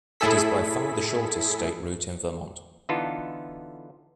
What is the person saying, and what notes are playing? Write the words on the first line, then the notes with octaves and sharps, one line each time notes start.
It is by far the shortest state route in Vermont.
A2 E4 G#4 A4 B6
D3 E3 B3 D#4 F4 A4